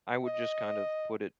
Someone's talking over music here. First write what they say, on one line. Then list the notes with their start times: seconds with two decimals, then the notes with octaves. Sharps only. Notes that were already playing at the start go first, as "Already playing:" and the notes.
I would just kind of put it
0.24 D#5